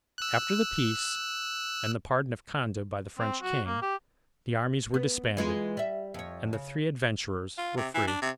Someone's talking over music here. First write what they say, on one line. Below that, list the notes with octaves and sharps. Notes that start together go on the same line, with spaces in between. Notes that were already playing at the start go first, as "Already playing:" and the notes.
After the peace and the pardon of Conde by the French king, the armies were disbanded, and the three adventurers were free.
E6 F#6
C4
F#4
A#3
G4
B3
E3 G#3 F4
G3 E5
F2 C#5
C#3
F4
C3
E3
D4
C3